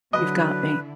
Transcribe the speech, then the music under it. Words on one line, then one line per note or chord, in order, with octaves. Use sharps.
You've got me.
D3 F#3 E4 B4 D#5